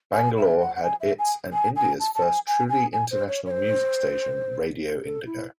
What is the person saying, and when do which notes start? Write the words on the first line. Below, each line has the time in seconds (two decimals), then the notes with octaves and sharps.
Bangalore had its and India's first truly international music station Radio Indigo.
0.13 G#5
0.37 E5
0.60 F#5
0.76 F#5
0.83 G#5
1.00 E5
1.19 G#5
1.53 G#5
1.76 G#5
2.00 A5
2.15 A5
2.23 G#5
2.47 G#5
2.70 G#5
2.93 G#5
3.11 C5
3.28 C#5
3.46 C#5
3.51 C5
5.03 A4
5.26 E4